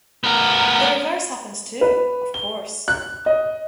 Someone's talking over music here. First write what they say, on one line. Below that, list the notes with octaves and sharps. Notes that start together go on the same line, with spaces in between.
The reverse happens too, of course.
B3 A#4
B4
G7
F#6
D#5